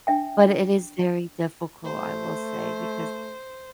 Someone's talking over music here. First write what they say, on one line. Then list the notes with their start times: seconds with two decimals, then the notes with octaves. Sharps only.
But it is very difficult, I will say, because,
0.07 D4 E5 G5
1.85 A3 C5